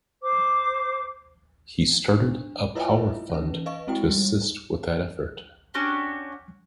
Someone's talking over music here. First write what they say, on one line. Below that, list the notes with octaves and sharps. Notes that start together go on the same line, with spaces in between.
He started a "power fund" to assist with that effort.
C5 D6
D4 C5
E4 F4 B4 C#5 D#5 E5
E3 C#4 B4
B4 D#5 F5 C#6
G#3 C4 E4 F#4 G5
G3
C#4 D4 F#4 G4